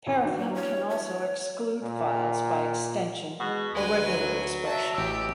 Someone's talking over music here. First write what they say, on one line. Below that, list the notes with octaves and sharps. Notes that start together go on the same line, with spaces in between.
Paraffin can also exclude files by extension or regular expression.
A1
E3 D4 F#4
A#3
C#5
C#5
A#2
B2 G#3 F#5
D2 G#3 B4 G#5
F#3
E5 A5
A1 G4 E6